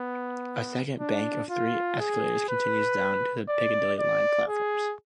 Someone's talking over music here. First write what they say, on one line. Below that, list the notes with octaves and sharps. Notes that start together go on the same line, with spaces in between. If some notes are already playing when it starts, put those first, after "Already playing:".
A second bank of three escalators continues down to the Piccadilly line platforms.
Already playing: B3
D4
F4
G#4
B4
D5
D5
G#4